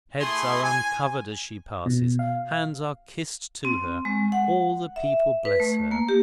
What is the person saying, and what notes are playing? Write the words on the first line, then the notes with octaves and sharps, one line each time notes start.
Heads are uncovered as she passes, hands are kissed to her, all the people bless her.
A3 E4 G#4 G#5 C6
G#5
B2
F5
C4
G#3
F#5
E5
B4
A3
A#3
G4